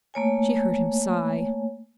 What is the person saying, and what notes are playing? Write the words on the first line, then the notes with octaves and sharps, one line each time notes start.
She heard him sigh.
A3 A#3 C#5 G#5